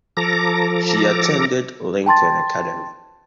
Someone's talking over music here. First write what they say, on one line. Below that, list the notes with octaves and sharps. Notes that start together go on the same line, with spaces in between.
She attended Lincoln Academy.
F3 A4 A#5 D6 A#6
G5 A5 C6 A6